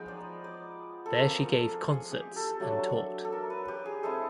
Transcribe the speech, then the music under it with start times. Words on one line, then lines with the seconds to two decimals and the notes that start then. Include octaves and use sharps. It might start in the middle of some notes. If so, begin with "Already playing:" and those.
There she gave concerts and taught.
Already playing: F3 G#3 B3 D#4 G5
0.08 D5
0.44 D5
1.06 A4
1.16 G#3 C4 F4 A#4
1.52 A4
1.88 G#4
2.12 G4
2.36 A4
2.60 F#3 A3 D4
3.25 A4
3.32 A#4
3.50 B4
3.68 G4
3.86 G#4
4.03 G#3 C4 E4 A4